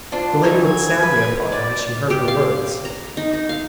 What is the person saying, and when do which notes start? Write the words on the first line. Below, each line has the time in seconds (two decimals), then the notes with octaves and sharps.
The lady looked sadly upon her as she heard her words.
0.12 D4 F4 C5
0.43 E3 F#3 D#4 G#6
1.03 B4
1.52 D5
2.10 G4
2.28 F5
2.85 A#5
3.17 D#4
3.33 D#4
3.49 F5